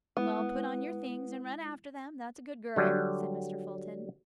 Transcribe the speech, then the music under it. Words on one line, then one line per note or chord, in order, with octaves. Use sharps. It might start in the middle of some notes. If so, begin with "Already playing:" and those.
"Well, put on your things and run after them, that's a good girl," said Mr. Fulton.
G#3 B3 E4
D3 F#3 G3